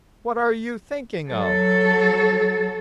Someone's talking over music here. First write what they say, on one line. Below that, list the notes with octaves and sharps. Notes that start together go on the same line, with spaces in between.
'What are you thinking of?'
F#3 A4